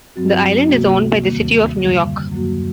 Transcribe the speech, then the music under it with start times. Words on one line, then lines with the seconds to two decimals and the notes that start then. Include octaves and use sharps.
The island is owned by the city of New York.
0.16 G2 F#3 C4 F#4
0.69 D2 C3 F#3 A#3 F#4
1.24 D#2 D#3 G3 A#3
1.77 F#2 D3 G3
2.32 F#2 F#3 A#3 F#4